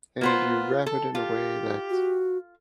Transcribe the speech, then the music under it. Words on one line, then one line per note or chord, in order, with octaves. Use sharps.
and you wrap it in a way that's
A#3 B3 F4 C5
A4
F4 G4
F#4